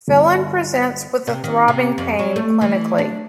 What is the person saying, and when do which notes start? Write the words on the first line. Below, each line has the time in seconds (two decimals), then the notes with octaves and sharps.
Felon presents with a throbbing pain, clinically.
0.08 G1
1.27 C3
1.44 D#3
1.68 C3
1.98 F2
2.19 F#3
2.36 A3
2.61 E3
2.98 D4